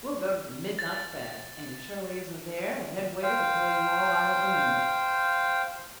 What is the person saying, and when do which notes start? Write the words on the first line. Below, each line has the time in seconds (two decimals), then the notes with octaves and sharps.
We'll go to the Midnight Fads and if Shirley isn't there the head waiter will tell you all I don't remember.
0.79 A6
3.23 C5 F5 G5